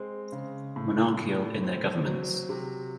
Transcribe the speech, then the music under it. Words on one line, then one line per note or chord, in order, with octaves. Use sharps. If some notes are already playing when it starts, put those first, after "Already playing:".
Monarchial in their governments.
Already playing: G#3 C4
C#3
A2
A2
C4
F#3
C3